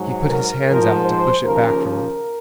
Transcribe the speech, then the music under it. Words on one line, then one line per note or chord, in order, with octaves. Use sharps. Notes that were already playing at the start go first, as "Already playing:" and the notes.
He put his hands out to push it back from him.
Already playing: G#2 F#3
A#4
G#2 F3
C5
D#2 C#3 F3 A#4
A#4